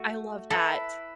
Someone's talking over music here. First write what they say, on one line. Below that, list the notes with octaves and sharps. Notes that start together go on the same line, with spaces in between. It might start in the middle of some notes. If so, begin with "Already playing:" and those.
I love that.
Already playing: A3 F#4
E4 A4 B4 E5